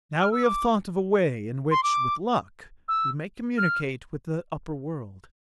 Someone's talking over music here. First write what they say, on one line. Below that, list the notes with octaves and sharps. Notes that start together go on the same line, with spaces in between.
Now we have thought of a way in which, with luck, we may communicate with the upper world.
F6
E6
D6
C6
D6
E6
F6